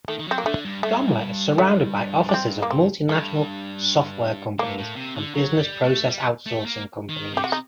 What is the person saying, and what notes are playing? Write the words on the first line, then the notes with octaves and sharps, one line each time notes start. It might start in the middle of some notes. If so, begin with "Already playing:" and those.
Domlur is surrounded by offices of multinational software companies and business process outsourcing companies.
D#3 A3
D#3
F#3 C4
A#3
D3 A3
G2
G2 A3
A3
D4
C4
A#3
C4
G2 A3
A2 A#3
A2
C3
D3
F#3
G3
A3
G3
A3
A#3
D#3
C3 G4
F#4
D#4